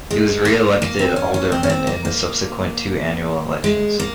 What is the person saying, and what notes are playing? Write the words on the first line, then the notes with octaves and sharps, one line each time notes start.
He was re-elected alderman in the subsequent two annual elections.
G#3
A#3
A#3
C4
C#4
C#4
C4
C#4
C4
A#3
A#3
G#3
A#3